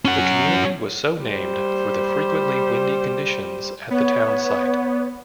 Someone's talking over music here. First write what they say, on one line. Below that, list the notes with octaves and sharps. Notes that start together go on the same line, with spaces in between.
The community was so named for the frequently windy conditions at the town site.
C#4 F#5
G3 C5
B3 C#5